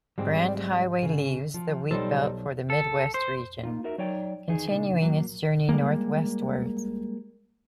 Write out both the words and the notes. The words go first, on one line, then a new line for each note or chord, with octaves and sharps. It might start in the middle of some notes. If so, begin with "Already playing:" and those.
Brand Highway leaves the Wheatbelt for the Mid West region, continuing its journey north-westwards.
G#2 G3 G#3 C4
C#3
F3
B1 G3 D#4 A4 C5
A4
C5
A#3 D#4 F4
D#4 F#4 A#4 E5
F#3 D#4 C#5 D5 G5
E2 D#3 D#4 G#4
A#2 C#3 D4 D#4
F#3 A#3
G3 G#3 A#3